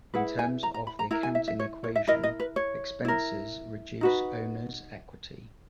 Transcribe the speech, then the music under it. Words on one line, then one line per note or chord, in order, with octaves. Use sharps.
In terms of the accounting equation, expenses reduce owners' equity.
E4 G#4 B4 F#5
G#5
A#5
A#5
B5
A#5
E4 A#4 A#5
G#5
E5
E5
C#5
C#5
E5
E4 A#4 D#5
D#5
B4
C#5
E4 A#4
D#4 F#4 B4